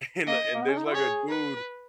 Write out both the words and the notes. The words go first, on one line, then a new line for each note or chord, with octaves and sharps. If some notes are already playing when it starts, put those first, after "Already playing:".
and and there's, like, a dude
A#3 D#5
A#3
B3
C#4
D#4
E4
G#4 C#5
B4